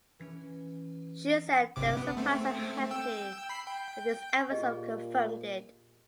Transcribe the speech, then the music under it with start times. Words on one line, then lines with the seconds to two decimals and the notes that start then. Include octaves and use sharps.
She said they were surprised and happy that this episode confirmed it.
0.19 E3 C#4
1.76 G1 C3 D6
1.97 B3
2.17 A3 C4
2.91 G5 E6
3.49 B5 C7
3.67 G5
4.50 A#2 G4 G#4 D#5